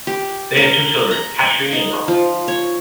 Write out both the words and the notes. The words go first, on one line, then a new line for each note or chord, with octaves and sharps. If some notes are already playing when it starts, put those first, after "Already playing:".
They had two children, Katri and Rob.
G4
A#4
A#5
D#4
F3
C#5